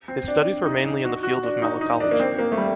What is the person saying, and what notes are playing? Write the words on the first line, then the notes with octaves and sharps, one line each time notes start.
His studies were mainly in the field of malacology.
C4
D4
D#4
D#4
F#4
F#4
D4
D#4
D#4
D4
A#3
C4
A#3
A3
G3